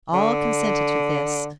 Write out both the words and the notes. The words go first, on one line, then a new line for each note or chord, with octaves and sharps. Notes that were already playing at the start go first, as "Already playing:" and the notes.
All consented to this.
D3